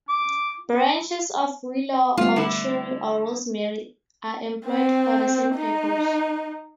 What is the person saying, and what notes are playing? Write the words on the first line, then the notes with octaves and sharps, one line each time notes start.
Branches of willow or cherry or rosemary are employed for the same purpose.
D6
G3 A3 B3 F4
D3 E4
C4
D#4